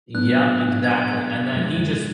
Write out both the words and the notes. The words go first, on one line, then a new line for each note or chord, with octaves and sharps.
Yep, exactly, and then he just
F#3 B3 D4 F#6
G#6
F#2 F3 G#3